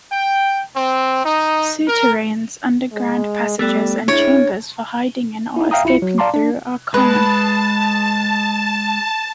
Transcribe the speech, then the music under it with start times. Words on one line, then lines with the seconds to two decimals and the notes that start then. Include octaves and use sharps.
Souterrains, underground passages and chambers for hiding in or escaping through, are common.
0.11 G5
0.75 C4
1.24 D#4
1.87 A#4
2.92 G#3
3.59 G3 A3 B3 A4
4.08 D4 E4 C#5
5.56 D#4 E4
5.71 E5 F5 G5 A#5 D#6
5.84 A#1 E4 F4 C#7
6.02 F#3
6.18 D5 F5 A5 A#5 C6 D6
6.34 D4
6.94 G#3 B4 A5